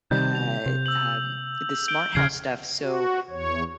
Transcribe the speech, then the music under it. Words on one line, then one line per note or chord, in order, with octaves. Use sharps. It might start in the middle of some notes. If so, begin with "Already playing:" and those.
uh, um, the smart house stuff, so
C3 D#3 G3 G6
F7
C3
E6 F#7
G6 D7 G7
D#1 C#3 F6 G#6 C7
F#4
E2 C#5